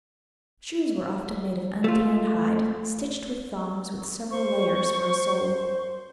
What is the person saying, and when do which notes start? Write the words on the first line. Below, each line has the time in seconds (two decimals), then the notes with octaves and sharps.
Shoes were often made of untanned hide stitched with thongs, with several layers for a sole.
1.84 A3 F4
4.30 C5 C#6